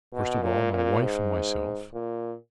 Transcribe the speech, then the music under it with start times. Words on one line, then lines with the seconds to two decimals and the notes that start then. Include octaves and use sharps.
First of all my wife and myself.
0.13 B2
0.42 A#2
0.73 A#2
1.03 G#2
1.93 A#2